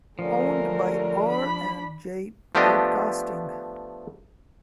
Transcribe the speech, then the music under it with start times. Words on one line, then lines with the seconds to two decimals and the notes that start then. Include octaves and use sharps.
Owned by R and J Broadcasting.
0.19 D3 F3 G3 A3 C#4 A#4
1.27 D4 B5
2.55 F3 A3 B3 D4 G4 D#5